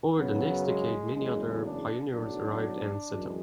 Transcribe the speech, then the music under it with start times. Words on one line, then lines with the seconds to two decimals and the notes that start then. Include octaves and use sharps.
Over the next decade many other pioneers arrived and settled.
0.17 F#2 C#3 F#3 B3
0.66 G#3
1.14 F#1 E2 C#3 G#3
1.64 D4
2.12 B1 A2 F#3 D4
3.09 F#2 E3 G#3